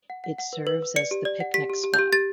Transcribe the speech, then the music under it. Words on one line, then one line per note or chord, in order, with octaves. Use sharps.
It serves as the picnic spot.
F#5
F#5
F#5
B4
B4
B4
D5 C#7
G4
D5
F#5
G4 B6
G4
G4
G4 G6
G4 A6